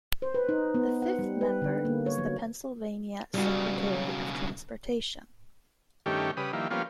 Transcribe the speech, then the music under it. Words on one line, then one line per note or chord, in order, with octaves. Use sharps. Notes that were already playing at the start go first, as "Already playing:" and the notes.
The fifth member is the Pennsylvania Secretary of Transportation.
C5
B4
D#4
B3
F#5
G3
B4
D3
A#3
C#5
F#3
B1 C#3 G3 F#4
G2 D#3 A3 C#4 G4
C#3 G3 B4 D#6
D#3 F3 G3 A#3 E4
F3 G3 A#3 B3 C#4 F4